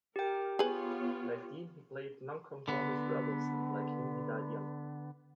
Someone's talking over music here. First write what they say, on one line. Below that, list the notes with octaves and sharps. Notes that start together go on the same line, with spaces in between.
Like Dean, he played nonconformist rebels, and like him he died young.
G4 A#4 G5
B3 F4 G#4 B4 C#5
D3 B3